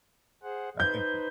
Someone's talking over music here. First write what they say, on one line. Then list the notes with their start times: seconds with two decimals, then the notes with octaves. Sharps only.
I think th
0.43 G#4 C5 F#5
0.80 D#4 B4 C5 G6